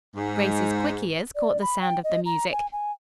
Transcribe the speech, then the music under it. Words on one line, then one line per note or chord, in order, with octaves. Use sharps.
Grace's quick ears caught the sound of the music.
G#2
D5
B5
G5
D#5
A#5
G#5
G#5